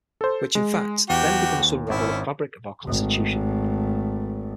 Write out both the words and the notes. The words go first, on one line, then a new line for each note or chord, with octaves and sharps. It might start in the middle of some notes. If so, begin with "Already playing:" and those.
Which in fact, then begins to unravel the fabric of our Constitution.
A4 C5
G#3
E2 F#4 G4
D#2
G#1 C#4 E4
G#1 A3